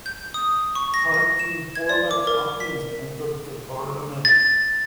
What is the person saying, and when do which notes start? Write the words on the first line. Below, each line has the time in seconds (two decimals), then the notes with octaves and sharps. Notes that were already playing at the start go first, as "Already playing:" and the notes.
Thirteen former champions entered the tournament.
0.06 G6
0.34 D#6
0.75 C#6
0.94 A#6
1.14 A#6
1.39 E7
1.76 G#6
1.89 D5
2.11 D6
2.27 A#4
2.60 B6
4.25 A6